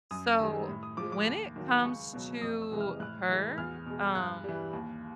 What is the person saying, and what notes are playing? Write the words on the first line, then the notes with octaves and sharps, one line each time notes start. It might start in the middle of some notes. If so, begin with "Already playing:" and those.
So, when it comes to her, um,
F#2 D#6
D#3 G3
A2
D#6
F3 G#3 D6
D6
D#2
D#3 F#3
C#2 C#6
B2 F#3
F2 D#6
E6
C3 E3 G#3
F6
A2 F#6
E3 G#3
E2 F6
B2 G#3
G2 F#6
E3 G3
D#2